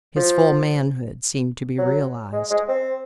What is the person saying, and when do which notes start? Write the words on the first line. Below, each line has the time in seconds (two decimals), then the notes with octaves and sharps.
His full manhood seemed to be realized.
0.16 F3
1.78 F#3
2.33 G#3
2.51 G#3
2.68 C4